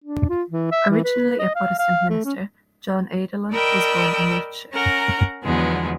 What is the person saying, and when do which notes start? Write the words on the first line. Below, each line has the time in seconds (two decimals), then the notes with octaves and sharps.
Originally a Protestant minister, John Adelham was born in Wiltshire.
0.04 D4
0.29 F4
0.50 E3
0.71 E5
0.90 E3
1.04 B4
1.39 D#5
1.55 F5
1.79 F5
2.09 A3
2.24 C#4
3.52 A#4 D5 D#5 G5 B5 E6
4.72 C#4 A#4 F#5 A#5
5.44 E2 D3 F3 F#3 G#3 B3